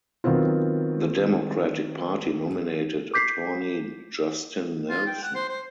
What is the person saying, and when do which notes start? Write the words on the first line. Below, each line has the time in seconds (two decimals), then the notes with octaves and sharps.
The Democratic Party nominated attorney Justin Nelson.
0.24 D#3 F#3 B3 C4 F4
3.14 D6 G6 B6 C7
4.90 F4
5.07 G5
5.23 F#5
5.35 C5
5.49 C5